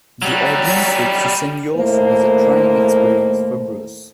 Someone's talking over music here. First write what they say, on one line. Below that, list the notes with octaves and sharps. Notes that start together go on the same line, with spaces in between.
The audience with Susenyos was a trying experience for Bruce.
F#3 G3
D#2 A2 A3 A#3 E4 C5